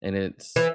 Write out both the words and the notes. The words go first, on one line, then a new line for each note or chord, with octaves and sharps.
And it's
E3